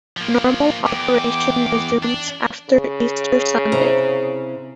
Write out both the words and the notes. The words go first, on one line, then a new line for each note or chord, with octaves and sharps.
Normal operation resumes after Easter Sunday.
F3 A#3
E2 G5 D6
D4
C#3
C3 E4 A#5